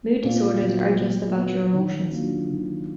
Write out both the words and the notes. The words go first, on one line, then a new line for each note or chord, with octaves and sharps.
Mood disorders are just about your emotions.
A#2
F#3 B3
A#2
F#3 B3
D#3
F#3 A#3 D4 F4
D#3